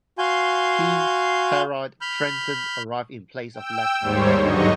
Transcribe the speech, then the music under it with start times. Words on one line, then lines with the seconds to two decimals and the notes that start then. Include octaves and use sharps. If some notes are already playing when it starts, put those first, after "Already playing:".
Heinz-Harald Frentzen arrived in place of Lehto.
0.18 F#4 F5 G#5 C6 G6
2.01 B5 F6 G6
3.54 G5 E6
4.00 D#2 G#2 G3 C5 C#5
4.41 G2 D3 F#3 D#4 D#5 C#6